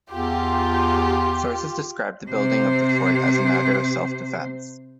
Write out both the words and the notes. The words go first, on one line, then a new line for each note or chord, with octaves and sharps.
Sources describe the building of the fort as a matter of self-defence.
E2 F4 G4
C3 C5